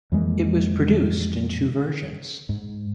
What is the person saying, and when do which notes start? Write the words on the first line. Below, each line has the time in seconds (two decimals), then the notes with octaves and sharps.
It was produced in two versions.
0.12 F2 E3 G#3 A#3
2.49 G#2